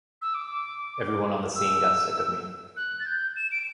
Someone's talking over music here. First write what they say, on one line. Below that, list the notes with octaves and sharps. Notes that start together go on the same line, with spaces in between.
Everyone on the scene got sick of me.
E6
D6
E6
F#6
A6
G6
E7
D7